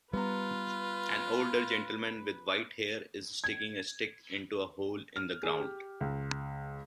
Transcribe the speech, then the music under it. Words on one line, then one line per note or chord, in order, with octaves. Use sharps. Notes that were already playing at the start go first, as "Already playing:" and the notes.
An older gentleman with white hair is sticking a stick into a hole in the ground.
G3 B3 F4 B4 A#5
G#6
F6
G#4
G4
C#2